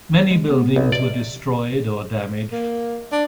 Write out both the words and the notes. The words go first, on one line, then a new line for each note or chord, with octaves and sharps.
Many buildings were destroyed or damaged.
G#3
B3
B1
C3 D5
A#3
D4